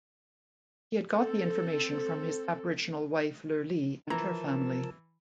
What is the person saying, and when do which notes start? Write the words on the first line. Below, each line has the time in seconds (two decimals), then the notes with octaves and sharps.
He had got the information from his Aboriginal wife Lurlie and her family.
1.14 C4 A4
4.10 E3 F3 A#4 A5 A#5